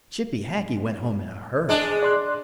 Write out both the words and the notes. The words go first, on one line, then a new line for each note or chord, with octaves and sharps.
Chippy Hackee went home in a hurry!
G#3 D4
D5 C6 F#6